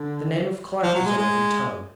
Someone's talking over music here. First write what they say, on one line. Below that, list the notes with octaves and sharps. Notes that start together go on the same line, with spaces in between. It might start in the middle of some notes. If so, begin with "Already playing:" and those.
The name of Clark was on every tongue.
Already playing: D3
F3
F#3
G#3
G#3